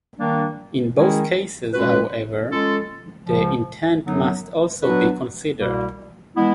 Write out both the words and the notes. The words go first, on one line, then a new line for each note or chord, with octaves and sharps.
In both cases, however, the intent must also be considered.
D#3 G3 A#3 D4
D#3 G#3 C#4 E4 G#4
G#3 C#4 F#4 B4
G#3 C#4 F4 A4
C#2 C#3 F3
F#2 D3 F#3 B3 D#4
F#3 B3 D4 F#4 B4
C2 B2 G3 A#3
E3 G#3 B3 E4